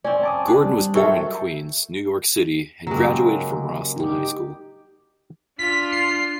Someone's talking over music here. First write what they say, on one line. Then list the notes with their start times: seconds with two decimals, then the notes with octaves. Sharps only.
Gordon was born in Queens, New York City and graduated from Roslyn High School.
0.04 C4 C#4 D5
0.23 A5 D6 D#6
0.48 D4
0.65 G3
0.95 F#3 C4 A4 A#4 E5 C#6
2.87 C#3 F#3 G#3 A#3 G4
3.96 D#4 G4
5.59 D4 F4 B6
5.92 C7